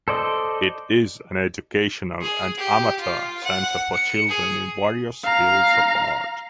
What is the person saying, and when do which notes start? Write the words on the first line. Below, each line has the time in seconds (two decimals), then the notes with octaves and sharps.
It is an educational and amateur center for children in various fields of art.
0.08 A4 C5 D5 D#5
2.22 G#4
2.57 G4
3.01 F4
3.44 F#5
3.93 C#7
4.29 G#4
5.24 F5 A#5